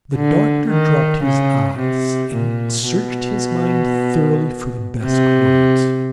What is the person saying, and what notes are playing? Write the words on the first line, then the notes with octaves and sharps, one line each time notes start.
The doctor dropped his eyes, and searched his mind thoroughly for the best words.
D3
D#3
C#3
C3
A#2
B2
C3